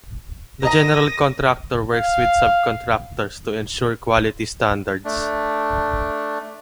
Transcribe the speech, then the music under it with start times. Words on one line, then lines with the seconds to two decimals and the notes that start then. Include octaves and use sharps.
The general contractor works with subcontractors to ensure quality standards.
0.63 A#4 D#5 A#5 D#6 A#6
1.94 F5
5.05 A3 D4